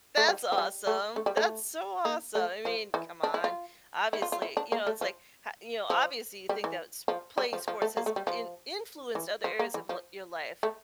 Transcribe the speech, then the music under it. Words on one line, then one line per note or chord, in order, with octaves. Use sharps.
That's awesome. That's so awesome, I mean, come on obviously you know, it's, like, h you know, obviously, you think that sp playing sports has in influenced other areas of li your life,
A3
G3
F3
G3
A3
A3
G3
A3
A#3
A3
F3
E3
D4
E4
F4
E4
F4
F4
E4
D4
A#3
A3
F3
F3
G3
E3
F3
G3
F3
F3
A3
A#3
A3
G3
F3
E3
F3
A#3
E3
F3
A3